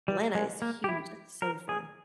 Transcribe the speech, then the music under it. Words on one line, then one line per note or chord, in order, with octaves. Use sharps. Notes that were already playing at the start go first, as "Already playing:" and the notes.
Atlanta is huge, that's so fun,
G3
G#3
A#3
G4
E4
A#4
G#4